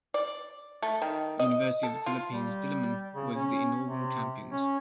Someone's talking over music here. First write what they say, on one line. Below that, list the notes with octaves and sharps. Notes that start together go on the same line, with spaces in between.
University of the Philippines Diliman was the inaugural champions.
D5
A3
D#3
D#5
A4
F4
G3
C#3
C#4
C3
C#4